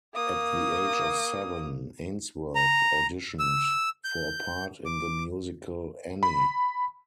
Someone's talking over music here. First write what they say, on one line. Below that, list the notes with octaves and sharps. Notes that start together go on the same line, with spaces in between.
At the age of seven, Ainsworth auditioned for a part in the musical "Annie".
A#3 D#6
A#5
E6
G6
D6
B5